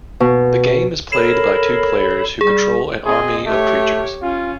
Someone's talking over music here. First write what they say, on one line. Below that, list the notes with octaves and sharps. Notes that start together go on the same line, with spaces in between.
The game is played by two players who control an army of creatures.
B2
A4 A#4 C#5 B5 C7 E7
G3 G#4
C4 G#4 D#5
A3 G4 C#5
C#4 F4